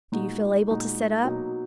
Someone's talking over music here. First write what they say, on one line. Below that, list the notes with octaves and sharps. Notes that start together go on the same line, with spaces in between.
Do you feel able to sit up?'
A#2 G#3 D#4 F#4
A#2 G#3 D#4 F#4
B2 F#3 A#3 D#4